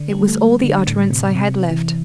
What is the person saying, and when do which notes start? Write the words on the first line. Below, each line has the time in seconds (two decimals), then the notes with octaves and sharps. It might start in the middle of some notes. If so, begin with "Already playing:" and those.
It was all the utterance I had left.
Already playing: D3
0.09 G3
0.28 A3
0.64 D3
0.88 A2
1.11 C3
1.35 C3
1.70 E3